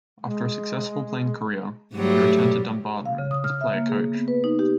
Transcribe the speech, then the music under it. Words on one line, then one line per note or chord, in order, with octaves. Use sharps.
After a successful playing career, he returned to Dumbarton as player-coach.
G#3
G#2 F#3 G3 A3
F5
C#3
D#6
F6
E5
A#3
G#4
B3
B4
D#4
G4